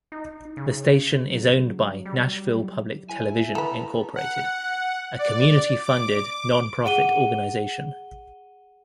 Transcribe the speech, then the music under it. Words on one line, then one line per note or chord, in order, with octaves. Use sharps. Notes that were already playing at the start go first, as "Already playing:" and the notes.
The station is owned by Nashville Public Television, Incorporated a community-funded, nonprofit organization.
D#4
C#3
F#3
G3
E4 G#5
A4 B4 A#5
F#5
D5
D6
G#4 F#5 D#7 G7